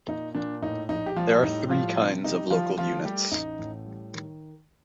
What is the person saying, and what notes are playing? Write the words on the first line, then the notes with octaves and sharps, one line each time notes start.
There are three kinds of local units.
A#2 D#4
A#2 D4
A2 D#4
A#1 D#4
G4
F3 G3 F4
A2 D#4
F3 G3 F4
C3
G3 D#4
F3 G3 F4
F3 A3 F4
G3 A3 G4
A1 D#4
A2
G3
D#3